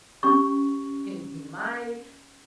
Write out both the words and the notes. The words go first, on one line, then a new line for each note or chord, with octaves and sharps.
in my
C#4 G4 C#6